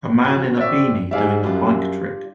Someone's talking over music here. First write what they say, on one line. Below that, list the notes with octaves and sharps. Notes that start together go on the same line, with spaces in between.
A man in a beanie doing a bike trick.
D4 F#4
C4 C#5 D5 E5
G#2 G3 D5 E5 F5 G#5
F#2 G3 D4 F4